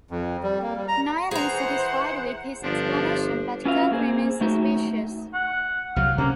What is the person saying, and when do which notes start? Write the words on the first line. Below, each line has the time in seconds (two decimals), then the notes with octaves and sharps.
Noel is satisfied with his explanation, but Kirk remains suspicious.
0.11 F2
0.43 G3
0.62 A#3
0.76 G3
0.88 A#5
1.31 E3 G#4 C5 F#5 A#5
2.62 G1 F3 D4
3.65 C#4 F4 F#4 B4 E5 F5
3.91 A#3 G#4 C5
4.40 F#3 A3 D#4 F#4 E5
5.34 F#5
5.96 C2 F#3 F5
6.18 C3 A#3 C#4